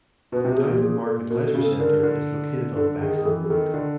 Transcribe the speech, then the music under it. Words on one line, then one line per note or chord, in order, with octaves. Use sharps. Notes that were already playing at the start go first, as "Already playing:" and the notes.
Downham Market Leisure Centre is located on Bexwell Road.
B2 B4
C3
G4
B2 G#4
A#2 G4
G#4
A4
B2 A#4
A4
C#3
A4
D3 A#4
D3
D3 A4
D#3 G#4
G#4
E3 A4
G#4
D#3 A4
D3